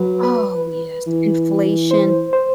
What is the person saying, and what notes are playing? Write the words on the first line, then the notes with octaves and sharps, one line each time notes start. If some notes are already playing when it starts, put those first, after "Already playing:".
Oh, yes, inflation.
Already playing: F#3 B4
B4
E3
C5
C5